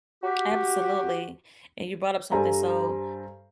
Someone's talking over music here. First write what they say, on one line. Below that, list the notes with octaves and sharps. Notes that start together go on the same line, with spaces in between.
Absolutely, and you brought up something so,
F#4 G4
G2 G3 A4 C5 G#5 A#5